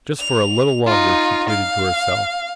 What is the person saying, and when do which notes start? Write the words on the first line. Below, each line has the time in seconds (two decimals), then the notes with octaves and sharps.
Just for a little longer, she pleaded to herself.
0.20 F7
0.86 D#4 F4
1.49 F5